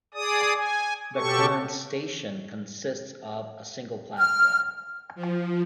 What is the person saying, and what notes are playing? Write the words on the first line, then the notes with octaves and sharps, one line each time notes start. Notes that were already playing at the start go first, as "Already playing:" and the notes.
The current station consists of a single platform.
G#4 D5 D#6
G#5
B2 G4 A4 C#6
F6
F3